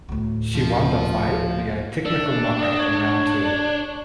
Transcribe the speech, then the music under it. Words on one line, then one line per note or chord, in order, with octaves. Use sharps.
She won the fight via technical knockout in round two.
D2 A2
F3
D4 A4
D#5
C#5